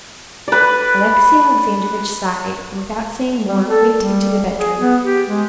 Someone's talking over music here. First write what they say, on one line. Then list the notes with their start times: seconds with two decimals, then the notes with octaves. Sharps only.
Alexey Alexandrovitch sighed, and, without saying more, went into the bedroom.
0.48 B4 D5
3.47 G3
3.66 A4
3.96 G3
4.58 G#4
4.79 B3
5.04 G4
5.29 G#3